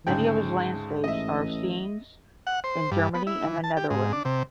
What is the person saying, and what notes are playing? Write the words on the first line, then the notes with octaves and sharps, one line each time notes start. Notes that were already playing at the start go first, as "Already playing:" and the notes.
Many of his landscapes are of scenes in Germany and the Netherlands.
D2 G#2 C#3 G5
A1 D#5 E5
F#5
C5
G2
B3
E4
E3
A5
G4
G#2
D4
C3